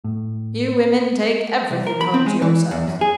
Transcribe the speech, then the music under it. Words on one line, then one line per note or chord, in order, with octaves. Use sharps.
You women take everything home to yourselves.
A2
C2
A#4
B5
C4
G#3
E3
E2
F#2
G#4